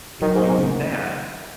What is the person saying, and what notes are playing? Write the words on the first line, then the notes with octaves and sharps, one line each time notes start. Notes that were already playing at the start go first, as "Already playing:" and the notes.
"If you do that,
D#3 F#3
G#2
A#3
G#2
C#3